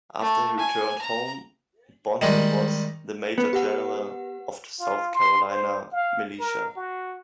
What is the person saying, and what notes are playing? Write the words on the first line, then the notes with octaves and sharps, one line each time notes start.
After he returned home, Bonham was the major general of the South Carolina Militia.
A3
G#5
A#5
D#3 G3 G#3
B3 C#7
G4 B4 F#5
F4
C6
C5
F5
A#4
F#4